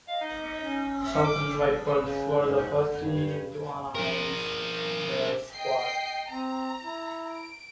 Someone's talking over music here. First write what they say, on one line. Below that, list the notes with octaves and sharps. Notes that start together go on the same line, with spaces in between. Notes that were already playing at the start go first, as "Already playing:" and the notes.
Southern Vipers were the first team to announce their squad.
D#5 F5
D#4
C#4
E5
D6
D4 A4
C#3
G#2
D3
G2
D4 A#4
D#5 G5 C7
C4 A#5
E4
D7